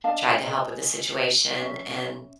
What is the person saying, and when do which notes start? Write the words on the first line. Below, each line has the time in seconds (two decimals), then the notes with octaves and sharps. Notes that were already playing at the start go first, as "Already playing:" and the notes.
tried to help with the situation, and
0.04 D4 D#5 F5 A5
0.46 G#4 D#5
1.62 C#4 E5